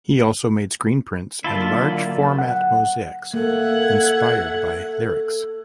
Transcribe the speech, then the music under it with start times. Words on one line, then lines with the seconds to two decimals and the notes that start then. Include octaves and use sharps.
He also made screen prints and large format mosaics inspired by lyrics.
1.44 D3 F#3 A#3 E4 F4 A5
2.38 F#5
3.34 A#3 A4 E5 F#5 G#6